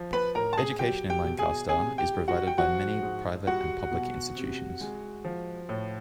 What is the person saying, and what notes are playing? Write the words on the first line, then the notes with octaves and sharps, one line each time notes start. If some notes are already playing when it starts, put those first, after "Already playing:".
Education in Lancaster is provided by many private and public institutions.
Already playing: F3
B4 B5
A2 A#4 A#5
A5
G#4 G#5
F#3 G4 G5
G4 G5
B2
G#4 G#5
C3 G#4 G#5
G4 G5
G3
F#4 F#5
G5
F3 F#4 F#5
G#2
G3 F#4 F#5
B2
C3
G#3
F3
A2